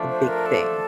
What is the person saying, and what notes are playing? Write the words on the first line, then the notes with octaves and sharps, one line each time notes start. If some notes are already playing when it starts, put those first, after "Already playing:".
a big thing,
Already playing: F3 A3 D4 F4
C5
A#4
A4